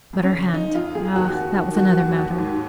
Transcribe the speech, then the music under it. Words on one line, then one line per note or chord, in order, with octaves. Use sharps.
But her hand--ah, that was another matter.
F2
C#4
C#3
F3 D#4
F2 F4
F2 G#4
D#2 F#4
D#2
D#3
F#3 F#4
D#2
D#2
G#2